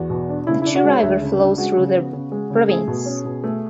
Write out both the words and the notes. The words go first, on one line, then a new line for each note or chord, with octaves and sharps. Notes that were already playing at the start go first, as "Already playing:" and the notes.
The Chi River flows through the province.
Already playing: E2 F#4
B2
D4
C#3 E4
D4 E4
F#4
G#3 C#5
D2 E5
C#3
D4
G#3 F#4
C#3
B3
C#3
G#3
C#3
A3 G#4
B2
C#4
B2
A3